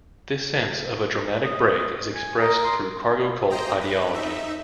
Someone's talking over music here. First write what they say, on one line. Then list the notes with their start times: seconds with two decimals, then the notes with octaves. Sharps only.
This sense of a dramatic break is expressed through cargo cult ideology.
1.45 D#5
2.15 G#5
2.40 A#4 D#5
2.64 C6
3.50 C5 D#5 G5 A#5
3.81 B4
4.13 D#4 E5